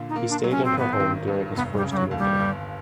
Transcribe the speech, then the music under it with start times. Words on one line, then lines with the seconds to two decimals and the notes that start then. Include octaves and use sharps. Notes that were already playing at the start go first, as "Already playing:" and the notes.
He stayed in her home during his first year there.
Already playing: A#2 D3
0.09 D#4
0.16 A#3
0.30 D4
0.44 F#3
0.50 C#4
0.65 C4
0.72 G#1
0.78 B3
0.93 C4
1.00 D#3
1.28 G2
1.55 F1 B3
1.72 G#3
1.77 G3
1.83 C#3
1.91 G3
1.97 F#3
2.11 D#2
2.18 G3
2.39 G1